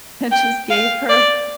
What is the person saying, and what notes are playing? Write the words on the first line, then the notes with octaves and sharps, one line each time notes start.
and just gave her
G5
F5
D5